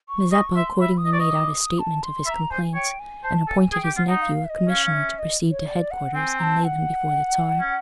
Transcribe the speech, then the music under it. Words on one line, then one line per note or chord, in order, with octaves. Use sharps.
Mazeppa accordingly made out a statement of his complaints, and appointed his nephew a commissioner to proceed to head-quarters and lay them before the Czar.
C#6
D#5 C#6
E5 C6
E5 B5
D#6
D#5
D5 C#6
D#5
D6
D#6
A5
C6
E5 B5
A#5
C5 G#5
C#5 G5
G#5
C5 A5
A4 G#5
G#4 G#5
G5
G4
F4 F#5
D#4
F5
E5
D#5
C#4 F5
F5
E5
D#5
C#5
D5
F#5
C4 G#5
A#5
A5
F#5
C#4